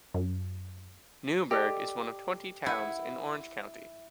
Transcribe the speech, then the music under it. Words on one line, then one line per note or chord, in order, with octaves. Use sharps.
Newburgh is one of twenty towns in Orange County.
F#2
G4 A4 D5 D#5
E4 B4 F#5